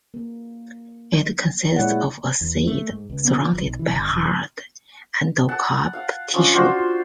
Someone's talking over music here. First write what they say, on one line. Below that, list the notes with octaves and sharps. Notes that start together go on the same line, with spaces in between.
It consists of a seed surrounded by hard endocarp tissue.
A#3
A#2 G#3 E4 C#5 D5 F#5
E2
A3
G#2
C#2
B3
F3
G#1
B1
E3
G1
E1
F#5 A5
F5 F#5
F3 C#4 D4
D4 F4 F#4 C5